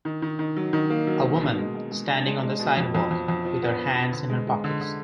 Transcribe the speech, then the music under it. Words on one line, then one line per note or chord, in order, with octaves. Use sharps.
A woman standing on the sidewalk with her hands in her pockets.
D#3
D#3
D#3
F#3
D#3
A#3
F#3
A#3
B2
G#3
G#3
G#3
D4
G#3
G#3
B2
F2
F2
F2
F2
F3
B3
B3
B3
D3
G#3
G#3
D3
D3